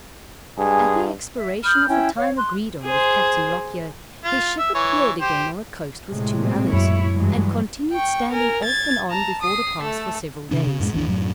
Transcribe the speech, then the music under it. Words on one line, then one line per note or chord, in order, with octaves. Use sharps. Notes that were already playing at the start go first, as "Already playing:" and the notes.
At the expiration of the time agreed on with Captain Lockyer, his ship appeared again on the coast with two others, and continued standing off and on before the pass for several days.
G2 G#3 G#4
E5
B5 D#6 F6 G6
C#4 E4 G5
C#5 F5
C6 F#6
G#4 C5
F4
E5
E3 C#5
G4 C5
A2 C3 G#3
A#2 F#3 C4
F#2 E4 C#5
G2 E3 F#3 G#3
G5 C#6
A#4 G#5
G#6 A6
A5 A#5
D#6 C7
A3 A4
C3 D#3 D4
C#3
F#2 A2 G#3
G#1 D#2 E3 D4
F#2 A2 F#3